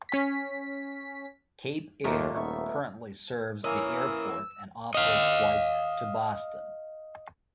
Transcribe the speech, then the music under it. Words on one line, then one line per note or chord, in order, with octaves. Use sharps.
Cape Air currently serves the airport and offers flights to Boston.
C#4 B6
D#2 A3 A#3 D#4 F4
D#1 B3 E5 C#6
E3 A#3 C#4 A#4 D#6 E6
D#5 F5